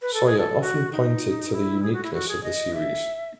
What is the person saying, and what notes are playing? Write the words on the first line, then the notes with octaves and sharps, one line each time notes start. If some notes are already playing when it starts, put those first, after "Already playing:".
Sawyer often pointed to the uniqueness of the series.
B4
A4
G#4
A4
F#4
D#4
E4
G#4
F#4
E4
F#4
G#4
D#5
E5